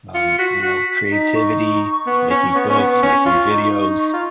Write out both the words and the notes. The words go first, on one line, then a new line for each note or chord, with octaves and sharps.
um, you know, creativity, making books, making videos.
F4 C#7
F#4 B6
F#4
D#4
C#6
B3
C#4
B3
C#4
B3
C#4
F4
D#4
F4